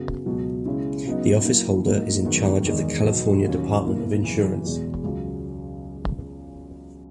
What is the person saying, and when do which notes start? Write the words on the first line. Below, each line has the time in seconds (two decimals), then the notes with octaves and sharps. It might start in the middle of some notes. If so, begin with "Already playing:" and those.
The officeholder is in charge of the California Department of Insurance.
Already playing: F#2 C#3 F#3 B3
0.26 C#2 B2 F#3
0.66 C#3 G#3 C#4 E4
1.06 C#3 F#3 B3 D#4
1.45 A#2 F#3 A#3 E4
1.85 G#2 F#3 A#3 D#4
2.25 F#2 D#3 G#3 B3
2.65 E2 D#3 G#3 D#4
3.05 B2 F#3 B3 D#4
3.45 D#2 D#3 F#3 C#4
3.84 B2 A#3 E4
4.24 F#2 C#3 E3
4.64 E2 B2 G#3
5.04 C#2 C#3 F#3